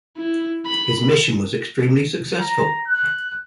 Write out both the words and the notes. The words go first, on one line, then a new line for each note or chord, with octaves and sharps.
His mission was extremely successful.
E4
B5
A#5
F#6